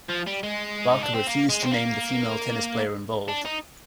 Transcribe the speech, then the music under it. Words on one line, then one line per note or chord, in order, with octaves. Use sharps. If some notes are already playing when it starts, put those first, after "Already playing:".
Barker refused to name the female tennis player involved.
F3
G3
G#3
D#4
D4
C4
A#3
G#3
C4
A#3
D4
D#4